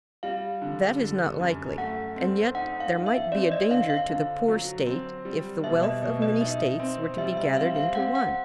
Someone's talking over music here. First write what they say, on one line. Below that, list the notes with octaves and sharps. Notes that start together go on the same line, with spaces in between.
That is not likely; and yet there might be a danger to the poor State if the wealth of many States were to be gathered into one.
G3 F5
D3
D3
F#2
A3 F#5
C4
D#4 F#5
F5
D#4
E5
C4 D5
D#5
D3 F5
F5
D3
F#3
C4
G3
B2 E5
D#5
B2
D#5
D#4 E5
C4
G3 E5
E5
C4 F5
F5
C4 F#5
F#5